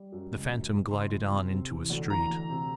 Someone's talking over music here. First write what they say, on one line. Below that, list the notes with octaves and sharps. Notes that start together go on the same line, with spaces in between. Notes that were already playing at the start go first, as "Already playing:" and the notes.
The Phantom glided on into a street.
Already playing: G3
F#2
C#2
C#2
C#2
C#2 C6
F3
C3
C3
E3
D2
E3 A#5
D2
C3